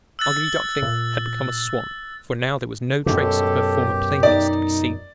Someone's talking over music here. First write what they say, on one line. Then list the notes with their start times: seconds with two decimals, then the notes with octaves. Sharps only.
The ugly duckling had become a swan, for now there was no trace of her former plainness to be seen.
0.19 E6 F#6 A6
0.82 A#2
3.06 F#2 B2 G4 A4
4.23 D#4 D5